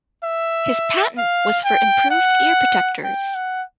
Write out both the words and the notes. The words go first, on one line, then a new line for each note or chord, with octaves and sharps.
His patent was for improved ear protectors.
E5
F5
G5
F#5
G5
F#5